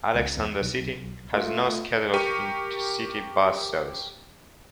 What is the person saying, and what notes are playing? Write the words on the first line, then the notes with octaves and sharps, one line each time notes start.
Alexander City has no scheduled intercity bus service.
C#2
E2
B1
A3 F4
G4 A#4 C#6 C#7 D#7